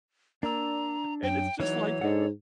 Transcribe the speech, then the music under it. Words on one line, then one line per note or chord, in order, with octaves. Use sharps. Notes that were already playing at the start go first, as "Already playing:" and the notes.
and it's just, like,
A#3 D4 D5 A#5 E6
F#2 G5
E3 F#3 D#4 C#5
G#2 D4 A4 D5 D#5 F#5